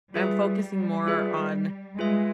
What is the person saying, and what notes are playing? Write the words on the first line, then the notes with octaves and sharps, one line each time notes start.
I'm focusing more on
G3 F4 G#4 B4 E5
F4 G#4 B4 E5
G#3 F4 G#4 B4 E5